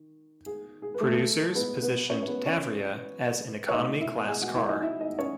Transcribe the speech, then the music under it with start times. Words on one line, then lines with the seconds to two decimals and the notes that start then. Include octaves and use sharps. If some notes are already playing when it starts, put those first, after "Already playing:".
Producers positioned Tavria as an economy-class car.
Already playing: D#3
0.46 G#4
0.82 G#4
0.94 B4
1.01 A3 A4
1.55 A2 G#3 B3 B4
1.82 B3 B4
2.09 C#4 C#5
2.22 C#5
2.27 B3 B4
2.46 C#4 C#5
3.69 C#5
3.73 B2 A3 D#4 D#5
4.00 E4 E5
4.28 G#4 G#5
4.41 F#4 F#5
4.55 E4 E5
4.69 D#4 D#5
4.82 E4 E5
5.00 D#4 D#5
5.19 C#4 C#5